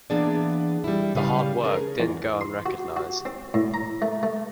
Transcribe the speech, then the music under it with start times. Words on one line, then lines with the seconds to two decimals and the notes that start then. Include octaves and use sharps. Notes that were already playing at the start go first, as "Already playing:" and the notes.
The hard work didn't go unrecognized.
0.10 E3 A#3 B3 D4 G#4 D5
0.84 G3 E4
1.15 C#3 G3 B4 F5
1.63 A3 C#4 G#4 A#4
2.00 E2
2.41 C6
2.66 F#4
2.97 F#4
3.25 C4
3.54 A2
3.74 A#5
4.02 A3
4.23 A3